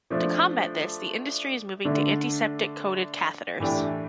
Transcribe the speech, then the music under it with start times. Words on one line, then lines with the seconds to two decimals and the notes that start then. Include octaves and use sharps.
To combat this, the industry is moving to antiseptic coated catheters.
0.10 F3 A3 D4
1.85 D3 A3 D4
3.60 A2 E3 A3 D4 G4